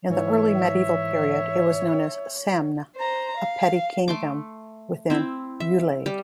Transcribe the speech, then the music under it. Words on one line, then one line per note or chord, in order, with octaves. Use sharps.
In the early medieval period it was known as Semne, a petty-kingdom within Ulaid.
G#2 E3 C#5 E5
C5 A#5
F5
A3 C6 D6
C4 E4
E5
G3